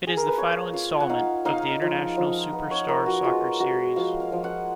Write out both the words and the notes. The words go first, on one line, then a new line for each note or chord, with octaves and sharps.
It is the final installment of the "International Superstar Soccer" series.
G#4
A#4
B4
A#3 C#5
F4 F5
F#5
D#4 F5
D#4 F5
F3
F3
B3
C#5
B3 A#4
F#4
G#3 F4
G#3 F#4
F3 F5
F5
F3
F#5